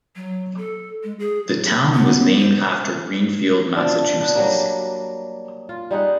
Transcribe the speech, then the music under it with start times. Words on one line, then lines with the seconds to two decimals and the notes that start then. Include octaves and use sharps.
The town was named after Greenfield, Massachusetts.
0.16 F#3
0.57 A4
1.04 G#3
1.19 G#4
1.47 F#3
1.94 B3
2.39 C5
3.76 F3 D4
4.20 B3 D4
4.35 F#3 G3 A#3
5.69 F4
5.91 G3 D#4 G#4 F#5